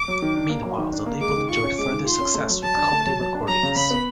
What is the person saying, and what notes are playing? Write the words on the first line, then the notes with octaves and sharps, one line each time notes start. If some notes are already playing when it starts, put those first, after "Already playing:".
Meanwhile, the label enjoyed further success with comedy recordings.
Already playing: D6
F#3
D#3
D4
A#3
F#3
D#3
D4
A#3
G#3 D6
D#3
F4 C#6
C#4
G#3 D6
D#3
F4 C6
C#4
A3
F#3
F#3 A5
D4
A3
F#3
F#3
D4
F#3 A#5
C#3
C#3 B5
B3